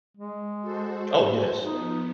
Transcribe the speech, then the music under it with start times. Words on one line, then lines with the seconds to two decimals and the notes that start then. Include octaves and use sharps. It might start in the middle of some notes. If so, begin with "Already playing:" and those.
Oh, yes.
0.17 G#3
0.61 F#4 A4 C5
1.63 F3 B3 D#4